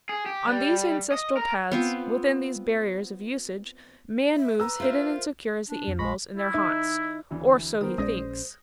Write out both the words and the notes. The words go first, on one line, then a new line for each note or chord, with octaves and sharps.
On these ancestral paths, within these barriers of usage, man moves hidden and secure as the animals in their haunts--or so he thinks.
G#4
G4
G3
D#5
A#4
B3 C4 F4
E5
B4 A#5 E6
F4 A#4 C5 E5
D4
F2
A#1 G#3 B5 C#6 A#6
E4
D#4 E5
D2 E3 D4
D#3 B3 A#4 C5 D#6
A#1 G#3 C#4 G#4 D5 D#6 A#6